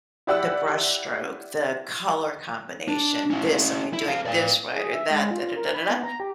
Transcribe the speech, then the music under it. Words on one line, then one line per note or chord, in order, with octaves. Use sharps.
the brush stroke, the color combination, this, "Am I doing this right, or that?" Da da da da da.
E4 G4 D5 F#5 B5 E6
D4
C#4 E4
E4
A4 F5
D5 F5
G#4
E5
G#3
F4
A#4
B5
B3
A#5
G4